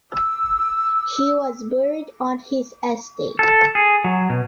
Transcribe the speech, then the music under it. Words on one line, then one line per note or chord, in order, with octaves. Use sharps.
He was buried on his estate.
E6
A4
G#4
F#3
B2